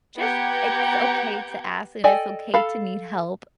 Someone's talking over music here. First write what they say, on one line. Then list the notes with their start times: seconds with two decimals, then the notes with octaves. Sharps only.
just it's okay to ask, and it's okay to need help,
0.18 B3 G4 F#5 A#5 G6 G#6
2.04 A4 D5 D#5 G5 G#5
2.54 A4 F5 B5